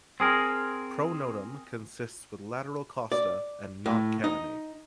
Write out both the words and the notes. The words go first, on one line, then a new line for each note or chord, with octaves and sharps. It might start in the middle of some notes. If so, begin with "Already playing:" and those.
Pronotum consists with lateral costa and not carinate.
C4 G#4 A#4
D5
A2
D#4